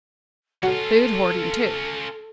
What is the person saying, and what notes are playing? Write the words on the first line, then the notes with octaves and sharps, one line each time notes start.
Food hoarding, too.
F#3 C#4 F4 A4